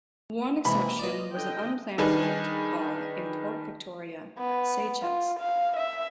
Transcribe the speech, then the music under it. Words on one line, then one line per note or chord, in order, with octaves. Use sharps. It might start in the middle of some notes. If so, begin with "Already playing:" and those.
The one exception was an unplanned port call in Port Victoria, Seychelles.
C3 E3 G#3 A#3 C4 B5
F4 B4 D5 D#5
D3 D#5 G5
D#3 G3 D4 D#4 G#4 B4
B3
F4
F5
E5